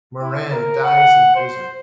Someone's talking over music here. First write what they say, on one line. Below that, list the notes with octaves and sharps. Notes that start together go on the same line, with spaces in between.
Moran dies in prison.
E4
A#4
F#5
C5